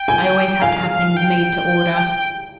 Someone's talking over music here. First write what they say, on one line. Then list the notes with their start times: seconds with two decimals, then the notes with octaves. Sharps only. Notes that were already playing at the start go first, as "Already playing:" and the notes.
"I always had to have things made to order."
Already playing: G5
0.08 G#5
0.62 F5 G#5
1.17 G5